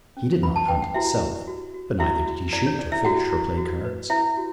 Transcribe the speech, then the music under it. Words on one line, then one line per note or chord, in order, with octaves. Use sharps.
He did not hunt himself,--but neither did he shoot, or fish, or play cards.
C#4
B4 B5
A5
B4 G5
F#5
E4 F#4 E5
D4
F#4
F#4
E4 F#4 E5
F#4
E4 D5
C#5
C#5 D5
E4 E5
E4 F#4 F#5
E4
F#4
B4
E4 C#5 E5
F#4